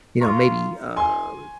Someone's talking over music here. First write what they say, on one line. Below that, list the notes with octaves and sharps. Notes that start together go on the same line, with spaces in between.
you know, maybe, um,
F4 A#5 C#6
G#5 C6